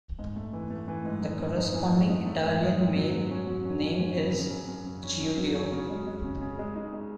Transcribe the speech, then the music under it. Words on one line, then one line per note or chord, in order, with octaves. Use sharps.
The corresponding Italian male name is Giulio.
G#2
A3
E3
A3
E3
G#2
D#4
G#2
D#4
E3
A3
D#4
A3
G#2
D#4
G#2
F#3
F#3
C#4
F#3
C#4
C#4
C#4
C#3
C#3
F#2
F#2
C#3
C#4
F#2
F#3
C#4
C#3
G#3
G#3
C#3
C#3
G#3
D#4
G#3